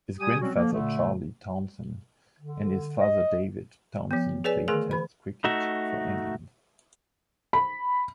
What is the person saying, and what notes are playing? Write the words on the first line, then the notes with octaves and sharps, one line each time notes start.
His grandfather Charlie Townsend and his father David Townsend played Test cricket for England.
G3 G4 G#5 D#6
F#3 G3 C4 C#4 F#4
D3 F3 A#3
A#2 D3 A3
D3
D#5
F3 B3
G#4 B4 C#5 D5 G#5
D3 D#3 A3 G#4 A#4 G#5
E3 B5
A3 D#4 F#4 E5
B5